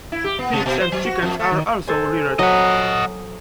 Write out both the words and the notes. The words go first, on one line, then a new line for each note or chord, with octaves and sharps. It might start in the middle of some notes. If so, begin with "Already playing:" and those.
Pigs and chickens are also reared.
E4
G4
B3
C3
B2
C5
F#3
F#4
F2
A3
D#3
A4 C5 G#5
F#3 D#5 F#5 D#6